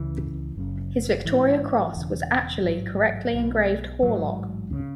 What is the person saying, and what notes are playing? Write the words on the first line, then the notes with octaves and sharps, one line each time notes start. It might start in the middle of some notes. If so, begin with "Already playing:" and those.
His Victoria Cross was actually correctly engraved Horlock.
Already playing: C#2 C#3 E3
F#1 F#2 C#3
A1 G#2 E3
E1 E2 C#3
A1 G#2 F#3
B1 B2
A1 G#2 F#3
C#3